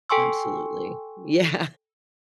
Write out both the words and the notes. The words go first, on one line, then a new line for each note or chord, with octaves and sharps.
Absolutely. Yeah.
A4 G5 G#5 C6 C#6 E6